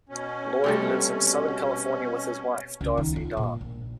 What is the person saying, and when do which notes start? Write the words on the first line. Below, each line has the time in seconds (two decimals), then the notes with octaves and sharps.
Lloyd lives in Southern California with his wife, Dorothy Darr.
0.09 B2 C#4
0.64 C3 G3 A3
2.81 C#2
2.97 D#3
3.16 F4
3.37 A#2
3.61 A#1